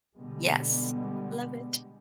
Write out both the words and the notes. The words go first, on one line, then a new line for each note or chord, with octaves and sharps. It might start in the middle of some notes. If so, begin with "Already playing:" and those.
yes, love it.
B2 D3 G3 G#3 B3